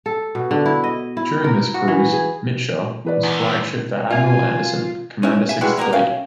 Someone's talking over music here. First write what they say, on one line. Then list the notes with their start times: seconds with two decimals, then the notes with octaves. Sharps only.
During this cruise, "Mitscher" was flagship for Admiral Anderson, Commander Sixth Fleet.
0.06 A4
0.35 B2
0.51 D3
0.66 E4
0.84 D#5
1.17 E4
1.44 A#4
1.74 F#4
1.88 E3
2.12 G#4
3.05 E3 B4 D5
3.23 E2 C3
4.11 C4 F4 E5 G#5
5.23 C#4 E4
5.49 E5 G#5
5.61 G3 G#3 E4 F#4 B4 D5
5.77 F#3 G3 A#3 B3 G4 A#4
5.93 C#4 E5 F5 G5